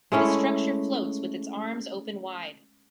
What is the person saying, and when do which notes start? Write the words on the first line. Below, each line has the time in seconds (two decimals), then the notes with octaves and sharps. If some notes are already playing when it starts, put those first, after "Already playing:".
The structure floats with its arms open wide.
0.12 G#3 A3 C#4 E4